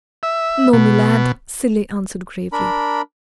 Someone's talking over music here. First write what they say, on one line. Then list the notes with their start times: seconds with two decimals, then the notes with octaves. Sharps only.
"No, me lad," Cilley answered gravely.
0.23 E5
0.73 B2
2.52 D4 A#4 B5